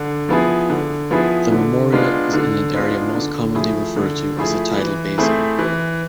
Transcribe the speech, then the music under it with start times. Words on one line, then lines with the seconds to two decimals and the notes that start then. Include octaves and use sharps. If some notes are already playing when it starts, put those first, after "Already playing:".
The memorial is in an area most commonly referred to as the Tidal Basin.
Already playing: D3
0.29 F3 B3 E4 G#4
0.70 D3
1.11 F3 B3 E4 G#4
1.52 D3
1.92 G#3 B3 D4 F4
2.33 D3
2.74 G#3 B3 D4 F4
3.15 D3
3.55 F3 A3 E4 G#4
3.96 D3
4.37 F3 A3 E4 G#4
4.78 E3
5.18 A3 C4 E4 G#4
5.59 E3